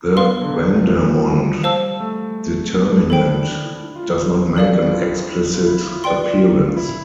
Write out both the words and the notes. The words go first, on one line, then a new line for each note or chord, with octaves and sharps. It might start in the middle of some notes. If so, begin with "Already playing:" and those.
The Vandermonde determinant does not make an explicit appearance.
B3 B4 F5 C6
B3
D3
C3
F3
E3
F3
G3
C5 F5 A5 E6
A3
B3
D4
E4 A4 C5 G5
D4
D4
D4
E4
E4
F4
E4
D4 A4 D5 F5
C4
E4
F4
E4
E4
F4
E4
F4
F4 B4 D5 G5 C6
F4
F4
E4